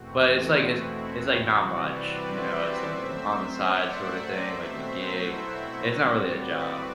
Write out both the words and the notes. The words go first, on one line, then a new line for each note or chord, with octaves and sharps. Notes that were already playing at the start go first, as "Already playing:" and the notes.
but it's, like it's it's, like, not much, you know? It's like a on-the-side sorta thing, like a gig. It's not really a job,
Already playing: E2 B2 A3 C4 F#4
E4
F#4
C3 E3 G3 C4
B4 D5
C5 E5
B4 D5
F#2 F#3 A3 C4 C5 E5
D5 F#5
C5 E5
B2 F#3 A3 C4
F#4
E4
F#4
A2 G3 C4 F#4
B4 D5